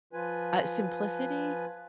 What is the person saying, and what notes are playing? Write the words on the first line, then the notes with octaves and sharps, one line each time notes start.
Uh, simplicity?
F3 F4 B4 G#5